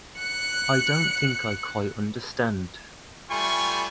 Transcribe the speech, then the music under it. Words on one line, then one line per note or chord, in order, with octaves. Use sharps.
I don't think I quite understand.
F#6 C#7
G3 A3 F4 G#5 B5 C#6